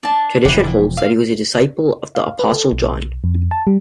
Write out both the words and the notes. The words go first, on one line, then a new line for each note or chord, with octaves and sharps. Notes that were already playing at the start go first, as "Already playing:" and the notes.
Tradition holds that he was a disciple of the Apostle John.
D4 A5
E1 F3 D4 E4
F5
F5
B4
A4
B1
F2
A5
G3